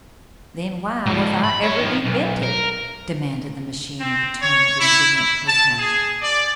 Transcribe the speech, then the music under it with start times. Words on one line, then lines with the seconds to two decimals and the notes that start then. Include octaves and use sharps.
"Then why was I ever invented?" demanded the machine, in a tone of indignant protest.
1.06 G#2 F3
1.44 B5
1.62 C#5 E5
1.79 D#3 F3
2.04 B1
2.42 A#4
4.01 C4
4.42 C#5
4.79 E4
5.16 E4
5.47 A5
5.78 G#4
6.22 D5